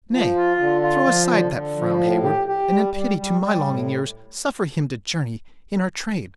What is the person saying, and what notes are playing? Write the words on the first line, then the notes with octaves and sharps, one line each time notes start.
Nay, throw aside that frown, Heyward, and in pity to my longing ears, suffer him to journey in our train.
F3
F4
D3
F4
F3
D3
D3
F3
A2
G4
G4
G3
G3
G3
G3
A2